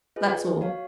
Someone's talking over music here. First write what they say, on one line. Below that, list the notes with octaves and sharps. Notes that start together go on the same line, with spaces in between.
That's all.'
F4 G#4 B4 D#5
F#4 C#5 F5